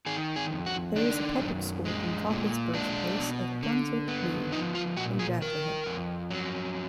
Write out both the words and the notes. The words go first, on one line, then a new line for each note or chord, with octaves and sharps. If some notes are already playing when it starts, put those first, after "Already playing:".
There is a public school in Coffin's birthplace of Brunswick, Maine, named after him.
D#3 G#4
G#4
F2
F#4
D#3 D4
F#2
G#3
A#2
G#3 D4
B2
D3
B3
F3 D#4
F4
A#2 F#4
G#4
D#3 A#4
F2
F#3